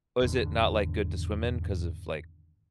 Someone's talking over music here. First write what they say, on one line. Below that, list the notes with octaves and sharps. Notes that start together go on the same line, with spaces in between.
Was it not, like, good to swim in 'cause of, like,
G#1 E2 D3